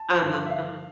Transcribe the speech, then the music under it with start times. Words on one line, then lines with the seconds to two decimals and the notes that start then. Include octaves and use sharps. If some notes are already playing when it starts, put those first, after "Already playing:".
Uh-huh. Uh-huh.
Already playing: A5
0.21 G2 D3 F3
0.46 E5
0.50 F5